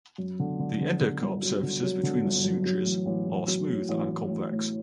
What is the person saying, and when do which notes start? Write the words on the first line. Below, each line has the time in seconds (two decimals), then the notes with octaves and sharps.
The endocarp surfaces between the sutures are smooth and convex.
0.18 F#2
0.40 D3
0.59 D3
0.81 D3
1.01 D3
1.22 G1
1.42 F#3
1.63 D3
1.83 F#3
2.03 D3
2.25 G1
2.44 F#2
2.65 F#3
2.86 A1
3.06 A1
3.27 A1
3.48 F#3
3.68 A2
3.89 A1
4.09 A1
4.30 A1
4.51 A2